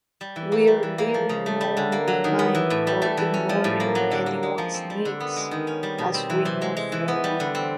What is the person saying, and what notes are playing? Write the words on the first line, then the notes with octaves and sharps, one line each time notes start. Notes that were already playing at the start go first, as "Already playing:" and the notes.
We’re leaving no one behind or ignoring anyone’s needs as we move forward.
G3
E3
A#3
G3
E3
A#3
F3
C#3
A3
G3
D3
A#3
F#3
D#3
B3
E3
A2
G3
A3
E3
C#4
F3
A2
A#3
F#3
D3
A#3
G#3
F3
C4
G3
D3
B3
G#3
D#3
C#4
G3
B2
C4
E3
C3
G#3
G#3
E3
B3
G3
D3
C4